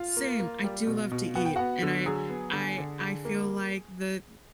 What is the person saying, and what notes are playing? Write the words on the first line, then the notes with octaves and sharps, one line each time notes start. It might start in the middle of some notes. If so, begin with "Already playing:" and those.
Same. I do love to eat, and I I I feel like the
Already playing: F4 F5
A#3
A#3
G3
B2
B2
B3 F#5
G5
B3 F#4 F#5
D3
F#3 G#4 G#5
B3
D3
D3
D3
A#3